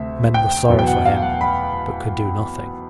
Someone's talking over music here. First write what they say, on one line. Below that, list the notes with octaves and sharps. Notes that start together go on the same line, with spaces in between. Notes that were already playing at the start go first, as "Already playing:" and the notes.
Men were sorry for him, but could do nothing.
Already playing: D2 C3 E5
G5
E2 B2 F#3
G5
F#5
F5
F#5
B5